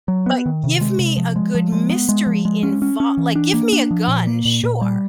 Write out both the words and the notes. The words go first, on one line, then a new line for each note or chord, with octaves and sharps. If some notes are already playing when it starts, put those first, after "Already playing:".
But give me a good mystery invol like, give me a gun, sure.
F#3
B3
D#3
C3
G#3
C3
F3
G#3
F3
G#3
B3
G#3
F3
G#3
C#4
C#4
C#4
E3
D4
A#3
D4
F3
A#2
A#3
A#2
A#2
G3